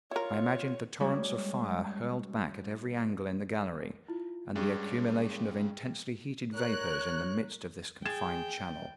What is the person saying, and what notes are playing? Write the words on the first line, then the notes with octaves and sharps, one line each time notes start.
I imagined the torrents of fire hurled back at every angle in the gallery, and the accumulation of intensely heated vapours in the midst of this confined channel.
E4 F4 A#4 C#5
G3 G#3 A#3 C#4 F#4
E4 F4
G2 G#3 C#4 G#4 C#6
A#4 C#5 F#6
G#4 G5 G#6 A6 E7